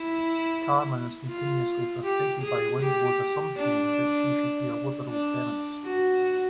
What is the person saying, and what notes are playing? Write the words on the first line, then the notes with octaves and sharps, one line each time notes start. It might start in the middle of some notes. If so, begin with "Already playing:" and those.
Carmen is continuously frustrated by Winslow's assumption that she should be a liberal feminist.
Already playing: E4
F4
G4
G#4
G4
D4
D4
F#4